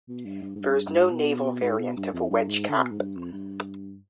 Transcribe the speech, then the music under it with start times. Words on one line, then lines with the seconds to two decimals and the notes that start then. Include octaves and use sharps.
There is no naval variant of the wedge cap.
0.08 B2
0.26 G2
0.42 G2
0.56 G#2
0.59 G2
0.88 G2
0.94 G#2
1.11 B2
1.62 G#2
1.79 B2
1.96 G2
2.13 F2
2.30 G2
2.48 G#2
2.69 D3
2.76 C3
2.83 B2
2.91 G#2
2.98 G2
3.16 F2
3.33 G2